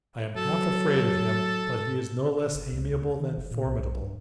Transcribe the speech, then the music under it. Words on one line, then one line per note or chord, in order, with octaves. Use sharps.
I am half afraid of him; but he is no less amiable than formidable.
F#3 A4
G1
C#2
D2
D#3
G1
A#2
C2
B1
G2